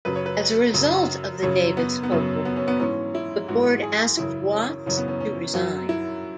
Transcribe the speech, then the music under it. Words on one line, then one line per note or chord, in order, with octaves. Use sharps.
As a result of the Davis Polk Report, the Board asked Watts to resign.
F#2 C#3 F#3 B4
C#5
B4
F#2 C#3 F#3
F#2 C#3 F#3 C#5
B3
B3
F#2 C#3 F#3 C#4
B3
C#4
B3
G#2 E3 C#4
E4
G#2 E3 F#4
G#4
F#2 C#3 E3 E4
C#4
F#2 C#3 E3 C#4
B3
C#4
C#4
F#2 F#3 F#4
E4